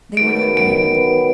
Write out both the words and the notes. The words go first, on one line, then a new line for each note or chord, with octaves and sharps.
They were not old.
D#3 F#3 B3 D7
D7